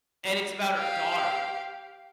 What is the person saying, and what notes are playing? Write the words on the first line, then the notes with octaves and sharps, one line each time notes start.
and it's about her daughter.
G4 F5